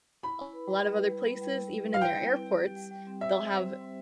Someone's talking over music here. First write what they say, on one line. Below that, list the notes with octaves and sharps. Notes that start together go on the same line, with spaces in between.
a lotta other places, even in their airports, they'll have
E4 B5
E4
B4
G3
B4
B4
G3
B4
G3
E4
G3
G3
F5
E4 G5
C4
C4
G3
G4
G3
G3
C4
C5 E5
C4
C5
C4
C4